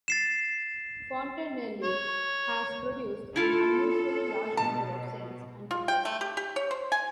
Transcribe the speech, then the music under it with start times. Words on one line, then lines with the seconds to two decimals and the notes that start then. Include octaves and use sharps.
Fontenelle has produced an unusually large number of saints and the blessed.
0.08 A6 C7 E7
1.84 C#5
3.36 E4 F4 A4
4.57 B2 A5
5.71 F4
5.88 G5
6.05 A3
6.21 G4
6.37 G4
6.56 C#5
6.71 C5
6.92 G#5